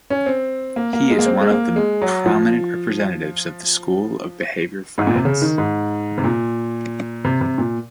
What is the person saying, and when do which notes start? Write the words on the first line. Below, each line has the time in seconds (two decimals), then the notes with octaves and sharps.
He is one of the prominent representatives of the school of behavioral finance.
0.10 C#4
0.26 C4
0.76 A#3
0.93 A#3
1.10 G#3
1.19 A#3
1.26 C4
1.41 G#3
1.51 A#3
1.76 G#3
2.02 F#3
2.26 F3
4.98 G#2
5.07 A#2
5.16 C3
5.25 C#3
5.42 D#3
5.58 G#2
6.18 C3
6.24 A#2
7.25 C3
7.41 C3
7.58 A#2